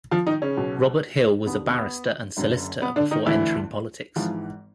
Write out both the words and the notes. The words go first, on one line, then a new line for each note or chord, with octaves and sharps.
Robert Hill was a barrister and solicitor before entering politics.
F3 F4
D#3 D#4
C#3 C#4
B1 B2
D#2 D3 B3
B3
F#1 F#2 D3
B3
D3 D4
D#3 D#4
D2 D3 E3 E4
G#1 G#2 E3 F3 F4